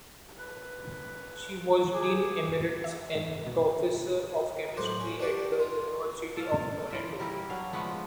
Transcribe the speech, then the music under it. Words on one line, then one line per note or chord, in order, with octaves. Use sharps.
She was Dean Emeritus and professor of chemistry at the University of Toledo.
B4
G4 G#4
E5
G#2
B2
A2 F#3 C5 F#5 D6
C#4
D4 F#4 G4 D5
F4
A4 F5
E3 F4 E5
G3 E4 G4 A#4
F#3 D4 F5
F3 G#3 A3 B3